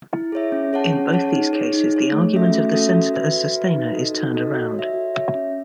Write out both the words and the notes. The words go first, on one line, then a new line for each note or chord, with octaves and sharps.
In both these cases the argument of the centre as sustainer is turned around.
E4
G#4 C#5 E5
C#4
G#4 C#5 F#5 A5
C#4
G#4 C#5 F#5 A5
D#4
G#4 C#5
D#4
G#4 C#5
A3
C#4 F#4 A4 E5
A3
C#4 F#4 A4 E5
F#4
B4 E5
F#4
B4 E5
D#4
F#4 A4 D#5
D#4
F#4 A4 D#5
F#4
C#5
E5
F#4
C#5 E5
C#4